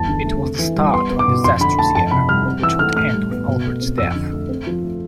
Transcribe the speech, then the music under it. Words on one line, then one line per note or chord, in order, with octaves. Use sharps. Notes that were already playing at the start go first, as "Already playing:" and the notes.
It was the start to a disastrous year, which would end with Albert's death.
Already playing: E2 G3 A5
D3
A3
C4
E3
G3
B3 C6
B3
D6
B2
F2 C6
D3 B5
A3 A5
F2 A5
C3 B5
G3 F6
C4
E3 E6
A3 F6
A2 F6
G3
B3
B2
A3
C4
F2 E6
D3
A3
C4
F3
A3